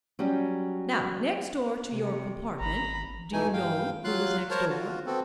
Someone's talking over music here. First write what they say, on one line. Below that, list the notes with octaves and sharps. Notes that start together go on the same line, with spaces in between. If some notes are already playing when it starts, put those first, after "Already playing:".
Now next door to your compartment--do you know who was next door?
F#3 G3 C#4 G4
C3
G#1 A#5 B5
B2 E3 A3 D#4 G#5
G2 F5 G5
F#3 F4 F5 C6 F#6
A#4 C5 C#5 A5 A#5
F4 F#4
B3 C4 F#4 A4